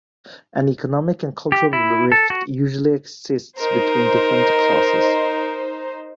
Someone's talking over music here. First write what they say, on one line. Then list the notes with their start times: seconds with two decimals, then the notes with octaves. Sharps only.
An economic and cultural rift usually exists between different classes.
1.52 G4
1.73 E4
2.12 A4
2.30 F#4
3.58 D#4 A#4 C5